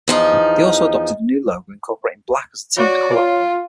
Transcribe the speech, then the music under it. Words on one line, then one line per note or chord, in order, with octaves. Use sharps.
They also adopted a new logo incorporating black as the team's colour.
E2 F3 D#4
F#4 C#5 D5
F4